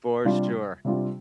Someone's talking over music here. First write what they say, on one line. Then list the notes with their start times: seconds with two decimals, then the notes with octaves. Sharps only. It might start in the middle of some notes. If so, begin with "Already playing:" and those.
For sure.
0.25 C3 G3 D4 F4
0.85 C3 G3 D4 F4